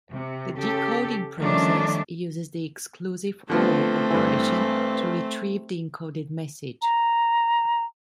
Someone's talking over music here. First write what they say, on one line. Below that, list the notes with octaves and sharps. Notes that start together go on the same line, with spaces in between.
The decoding process uses the "exclusive or" operation to retrieve the encoded message.
C3
C#3 G4 A4
D#3 F3 G3 A3 C#4 D4
D3 F3 A3 B3 C4
G2 E3
A#5